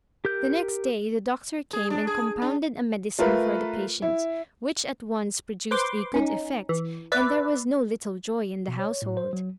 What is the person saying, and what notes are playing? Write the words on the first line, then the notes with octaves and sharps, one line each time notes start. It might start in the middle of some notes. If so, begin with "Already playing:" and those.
The next day the doctor came and compounded a medicine for the patient, which at once produced a good effect, and there was no little joy in the household.
G4 A#4 G6
G#4
D4
G#4
D4
A3 F4 A#4 B4
E4
B4 C5 C6 D6
C#4 D#4
E3
B4 D5 E5
B2
C#5
A2
C5
F#3